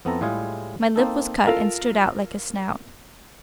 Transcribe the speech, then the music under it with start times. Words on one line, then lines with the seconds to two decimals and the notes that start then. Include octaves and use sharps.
My lip was cut and stood out like a snout.
0.05 F2 B3 C4 E4 A4 A#5
0.21 A2 G3 G#3 E4 F4 G#4
0.96 A#3 C4 D#4 A4
1.46 F4 A4 A#4 F5